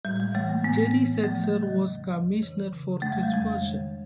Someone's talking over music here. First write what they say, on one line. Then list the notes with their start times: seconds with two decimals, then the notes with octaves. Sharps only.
Jerry Seltzer was commissioner for this version.
0.05 A2 G3
0.20 G#3
0.35 E3 A3
0.49 A#3
0.64 A2 B3
0.94 E3
1.24 F3 A3
1.44 G3
1.53 C#3
1.63 F#3
1.83 F2
2.13 F2
2.43 E3
2.73 C#3
3.02 F2 A3
3.12 G#3
3.23 G3
3.32 F2 G#3
3.62 D#3